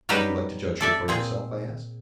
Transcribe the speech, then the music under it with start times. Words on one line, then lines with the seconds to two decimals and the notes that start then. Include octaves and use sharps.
"Would you like to judge for yourself?" I asked.
0.09 F#3 G3 D#4 G4 B4 D#5
0.81 A4 D5 E5
1.08 A#2 C4 G#4